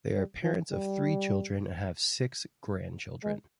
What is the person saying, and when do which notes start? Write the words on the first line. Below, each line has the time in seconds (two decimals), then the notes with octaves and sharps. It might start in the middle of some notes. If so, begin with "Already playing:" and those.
They are parents of three children and have six grandchildren.
0.15 G3
0.43 F3
0.72 G3
3.24 G#3